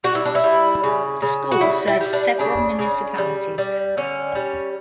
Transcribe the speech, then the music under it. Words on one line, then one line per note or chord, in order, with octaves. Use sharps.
The school serves several municipalities.
G3 F#4
E4
D4
E4
G3
C#3
C#3
F#4
G3 E4
E4
G3
D4
C#3 D4
C#3
G3
G3
D3 C#4
G3